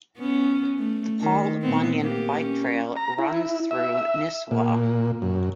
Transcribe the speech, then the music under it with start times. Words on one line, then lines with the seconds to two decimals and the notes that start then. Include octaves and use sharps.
The Paul Bunyan Bike trail runs through Nisswa.
0.18 B3 C#4
0.78 A3
1.21 D#3
1.62 A#2 B3 C4
2.00 A#3 B3 G4
2.38 C#4
2.96 A#5
3.18 E4
3.71 E5
4.51 A#2
5.22 F#2